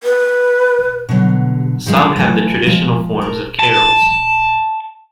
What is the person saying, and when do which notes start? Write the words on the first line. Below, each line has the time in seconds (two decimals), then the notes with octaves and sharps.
Some have the traditional forms of carols.
0.04 B4
1.09 B2 D3 F#3
1.86 D#3 F3 G#3 C#4 D#4
2.16 E3 F#3 A3 F4 A4
2.66 F3 G#3 A#5
3.21 A#4 A5
3.59 A5